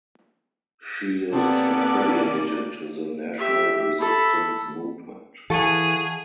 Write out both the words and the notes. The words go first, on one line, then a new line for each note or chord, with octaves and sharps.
She is affiliated to the National Resistance Movement.
C3 A#3 B3 C#4 A4 D5
G4 E5
A4 B5
E3 G#4 A4 F5 F#5 C#6